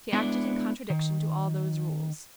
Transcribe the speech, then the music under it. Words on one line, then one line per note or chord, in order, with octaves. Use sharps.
She acted in contradiction to all those rules.
G#3 B3 D4 E4 D5
D#3